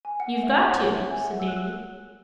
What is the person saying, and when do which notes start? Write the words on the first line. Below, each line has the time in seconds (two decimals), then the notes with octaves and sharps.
"You've got to," said Davy.
0.05 G#5
0.20 F#5
0.43 E5
0.50 F#5
0.65 E5
0.80 C#5
0.95 E5
1.10 G#5
1.25 F#5
1.40 E6
1.48 F#6
1.56 E6